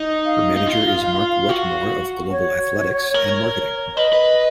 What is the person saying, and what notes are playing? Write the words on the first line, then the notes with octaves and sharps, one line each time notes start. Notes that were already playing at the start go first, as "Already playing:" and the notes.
Her manager is Mark Wetmore of Global Athletics and Marketing.
Already playing: D#4
F5
D#4
F4
F#4
C#5
A#4
B4 D#5
B4